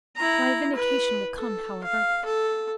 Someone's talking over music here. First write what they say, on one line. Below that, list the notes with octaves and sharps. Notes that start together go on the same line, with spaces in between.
My vindication will come, however.
E4 A#5
B4
A4
F5
A4